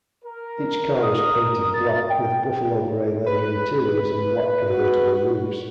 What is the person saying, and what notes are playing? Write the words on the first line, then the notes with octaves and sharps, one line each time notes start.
Each car was painted black, with buffalo grey leather interiors and black convertible roofs.
A#4
D#6
A6
G5
B4
F#4